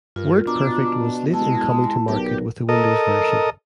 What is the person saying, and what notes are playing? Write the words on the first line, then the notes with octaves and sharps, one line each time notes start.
WordPerfect was late in coming to market with a Windows version.
G2 F4 A#4
B2 D4 F4 A#5 D6
G#3 E4 A5
B1 G4 A#4
A4 A#4 D#5